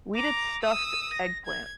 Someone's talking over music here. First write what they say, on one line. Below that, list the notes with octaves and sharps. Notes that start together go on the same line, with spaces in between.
We did stuffed eggplant.
A#5 D6
D#6 E6
A#6
G#6